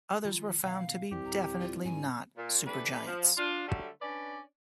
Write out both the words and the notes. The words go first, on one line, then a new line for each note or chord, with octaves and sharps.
Others were found to be definitely not supergiants.
D#3 F3 G#3 F4
B2 D#3 F5
C2 F2 G4
D1 A#5
F4
G#2 G#5
A#2
C3 E3 A3 D4 B4
F3
D4 F4
D3 F#3 G3 A3
C#4 D4 B4 D5